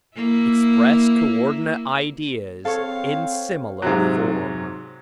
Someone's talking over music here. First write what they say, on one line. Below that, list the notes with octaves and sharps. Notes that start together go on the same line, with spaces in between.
Express co-ordinate ideas in similar form.
A#3 E4
C4 A4 C#5 F5
G#2 C3 F#3